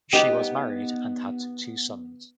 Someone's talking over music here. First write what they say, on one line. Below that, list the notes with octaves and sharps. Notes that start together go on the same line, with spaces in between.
She was married and had two sons.
B3 D#4 G4